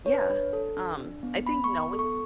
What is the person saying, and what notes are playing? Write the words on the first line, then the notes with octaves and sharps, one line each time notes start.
yeah, um, I think knowing
D4 C#5
B4
C#5
D4
A4
D4
D4
B3
B3 B5
C#6
B3
A4
C#6